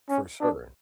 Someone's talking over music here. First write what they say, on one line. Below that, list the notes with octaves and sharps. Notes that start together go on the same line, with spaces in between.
For sure.
C#4
D4